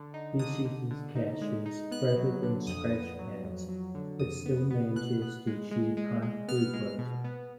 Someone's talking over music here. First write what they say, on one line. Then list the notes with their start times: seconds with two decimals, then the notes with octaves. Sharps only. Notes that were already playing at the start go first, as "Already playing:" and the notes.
This uses caches rather than scratchpads, but still manages to achieve high throughput.
Already playing: D3
0.14 D#4
0.39 D3 D#6
0.65 D3
0.91 D3
1.16 D#4
1.41 G#3
1.66 D#4
1.91 B3 F#6
2.16 F#3
2.43 D3
2.67 F2 D#6
2.93 B3
3.19 F#3
3.44 F2
3.68 F#3
3.95 D3
4.20 F2 D#6
4.46 B3
4.71 B3
4.96 B2 F#6
5.22 B3
5.47 G#3
5.71 G#3
5.97 G#3
6.22 G#3
6.48 B3 F6
6.73 G#3
6.99 B2
7.24 B3